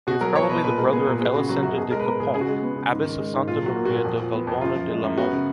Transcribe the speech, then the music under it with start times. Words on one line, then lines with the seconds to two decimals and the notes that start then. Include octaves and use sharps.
He was probably the brother of Elisenda de Copons, abbess of Santa Maria de Vallbona de les Monges.
0.07 B2 F#4
0.21 F#3 A#4
0.35 B3 C#5
0.50 B2 B4
0.64 A#2 B4
0.78 G#3 A#4
0.93 B3 G#4
1.06 A#2 A#4
1.20 B3 G#4
1.34 C#3 F#4
1.49 F#3 F#4
1.63 F#2 F#4
1.77 B2 G#4
1.91 G#3 A#4
2.00 B4
2.05 B3 A#4
2.20 B2 G#4
2.34 C#3 G#4
2.41 F#4
2.48 G#3 G#4
2.62 B3
2.76 C#3
2.91 G#2
3.05 D#3
3.19 G#3
3.34 G#2
3.48 A#2 F4
3.61 F#3 F#4
3.76 A#3
3.85 A#2 F#4
4.04 F2
4.19 F3
4.33 B3
4.47 F2
4.61 F#2 F4
4.75 F3
4.90 G#3
5.04 F#2
5.17 B3 F#4
5.32 C#3